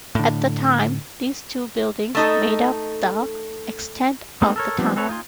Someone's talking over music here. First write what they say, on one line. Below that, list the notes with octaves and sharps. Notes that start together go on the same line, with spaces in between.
At the time, these two buildings made up the extent of the town.
A2 D3
A3 D#4 A4
G#3 A3 B3 C4 D#4
A4 A#4 C#5
F3 G3 B3 C4 D4
C4 A4 B4 C#5
D#4 F4 G#5 C6